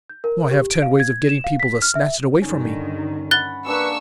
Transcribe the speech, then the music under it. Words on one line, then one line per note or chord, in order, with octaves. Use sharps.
I have ten ways of getting people to snatch it away from me.
G6
A#4
G4
D7
F5
G#6
E7
F5
B6
F6
E5
G2 D3 D#3 C#4 D#4
F#5 B5 F#6 A6 G7
A#3 D4 G#4 B4 C#6 E6